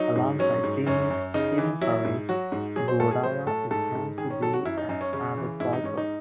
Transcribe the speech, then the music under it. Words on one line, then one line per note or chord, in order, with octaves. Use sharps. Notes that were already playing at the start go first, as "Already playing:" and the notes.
Alongside teammate Stephen Curry, Iguodala is known to be an avid golfer.
Already playing: F#3 D#4
G#2
F#3 C#4
G#2
F#2 C#4
F#2
C#3 D#4
E3
F#3 E4
G#2
F#3 F#4
G#2
F#3 G#4
C5
A2 A4
G#4
F#3 C5
A2 A4
G#2 A4
G#2
D#3 G#4
C#4
F#3 A4
F#4
F#2 E4
D#4
F#2 D#4
C#4
C#3 C#4
E3
G#2 E4
D#4
G#2 C#4
D#4